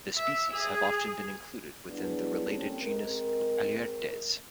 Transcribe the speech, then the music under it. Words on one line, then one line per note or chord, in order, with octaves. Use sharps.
The species have often been included within the related genus "Aleurites".
E5
G#4
F#3 G#3 B3 D4 E4
A#3 C4 C#4 G4 A4
G#3 C4 A#4